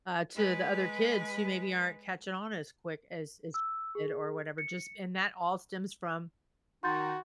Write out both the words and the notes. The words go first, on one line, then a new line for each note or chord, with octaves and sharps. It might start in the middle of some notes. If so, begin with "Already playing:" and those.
uh, to the other kids who maybe aren't catching on as quick as as she did or whatever, just and that all stems from
G#3 B4
E6
G#4
C#7
D#3 D#4 F#4 C6 G6 A6